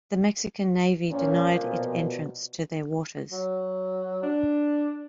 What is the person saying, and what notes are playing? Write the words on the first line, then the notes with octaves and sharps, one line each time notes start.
The Mexican Navy denied it entrance to their waters.
A#2 F3 C#4
B2
F#3
D4